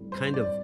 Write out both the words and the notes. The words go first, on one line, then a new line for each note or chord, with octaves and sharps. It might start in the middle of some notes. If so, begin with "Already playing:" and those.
kind of
Already playing: A2 G3 C4
C5
G3 C4 D5